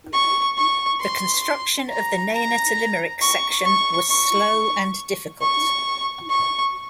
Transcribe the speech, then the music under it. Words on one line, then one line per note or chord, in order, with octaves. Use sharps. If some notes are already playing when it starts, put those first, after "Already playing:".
The construction of the Nenagh to Limerick section was slow and difficult.
C#6
C#6
C6
A#5
A#5
C#6
C#6
C#6
C#6
C#6